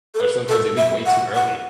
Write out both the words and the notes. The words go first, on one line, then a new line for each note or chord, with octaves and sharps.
or sometimes they leave way too early.
A4
B4
A4
E5
F#5
F#5